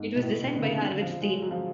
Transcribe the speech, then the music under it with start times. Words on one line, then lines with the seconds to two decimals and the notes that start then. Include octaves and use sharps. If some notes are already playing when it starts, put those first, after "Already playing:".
It was designed by Arvid Steen.
Already playing: G#2
0.16 B2
0.22 A2
0.42 B2
0.56 D3
0.62 C#3
0.82 D3
1.02 F3
1.22 G#3
1.42 F#3
1.51 F3